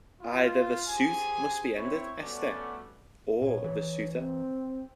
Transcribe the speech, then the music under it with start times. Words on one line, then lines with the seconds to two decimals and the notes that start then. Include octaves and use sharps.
Either the suit must be ended, Esther - or the suitor.
0.22 F4
0.89 G4 G#4 C5 G#5
1.76 C4 E4 C#5
2.19 G3 A3 B3 C#4 F#4 D5
3.42 A#2 C#5
3.64 E3
4.15 C4